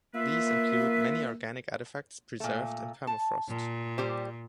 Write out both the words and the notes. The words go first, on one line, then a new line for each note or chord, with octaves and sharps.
These include many organic artifacts preserved in permafrost.
A#3 F4 B4 E5
A#2 A3
A5
A#2
G3 G4 C5